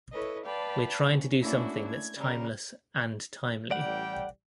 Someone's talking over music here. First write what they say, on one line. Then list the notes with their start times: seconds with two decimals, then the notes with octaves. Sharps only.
We're trying to do something that's timeless and timely.
0.13 E4 A4 B4 C#5 D#5
0.44 B4 D5 F5 G5 A5 B5
1.01 C#4
1.39 A3 A#3 C#4 D4 E4 F#4
1.84 A3 G#6
2.15 C#3 G3 A#4
3.71 A1 G3 D5 F#5 G5